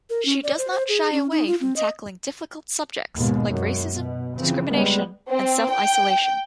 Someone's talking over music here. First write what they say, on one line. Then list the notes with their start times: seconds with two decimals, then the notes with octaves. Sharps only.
She does not shy away from tackling difficult subjects like racism, discrimination and self-isolation.
0.10 A#4
0.25 C#4
0.44 D5
0.58 C5
0.72 C5
0.89 G#4
1.12 C#4
1.31 D#4
1.47 F4
1.61 C4
1.76 D#5
3.15 D#2 G#2 B2 G#3
3.48 F#2
3.92 B2
4.37 C#3 E3 F3 C4
4.68 G3 G#3 B3
5.30 C4
5.72 G5